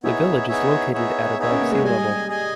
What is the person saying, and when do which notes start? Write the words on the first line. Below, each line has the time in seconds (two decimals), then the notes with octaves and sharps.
The village is located at above sea level.
0.03 B3 D#4 E4 G#4 C#5 E5
0.48 B3 D#4 G#4 C#5 E5
0.93 B3 D#4 G#4 C#5 E5
1.38 B3 D#4 G#4 C#5 E5
1.50 C#4
1.61 A#3
1.72 G#3
1.83 G3 G#4 D#5 G#5
2.28 G#4 D#5 G#5